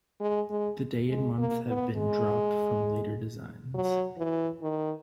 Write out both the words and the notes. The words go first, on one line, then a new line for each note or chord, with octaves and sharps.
The day and month have been dropped from later designs.
G#3
G#3
G#3
A#3
B3
G#3
F#3
E3
D#3